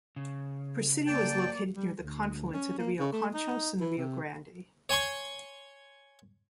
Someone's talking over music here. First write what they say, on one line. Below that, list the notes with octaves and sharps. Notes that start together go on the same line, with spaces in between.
Presidio is located near the confluence of the Rio Conchos and the Rio Grande.
C#3
A#3 D5 G5 A5
G3
D2
C#4
A#3
C#3
A3
D#4
E3
C3
C#5 G#5 C6 C#6